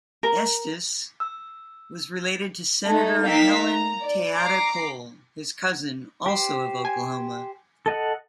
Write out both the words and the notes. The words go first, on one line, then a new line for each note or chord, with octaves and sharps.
Estes was related to Senator Helen TeAta Cole, his cousin, also of Oklahoma.
A#4
E6
A3 D#4
A#3 D#4 F5 G5 E6 B6
A#5
D5
A#5 D6 C7
G4 C5
G#5
A4 D#5 F#5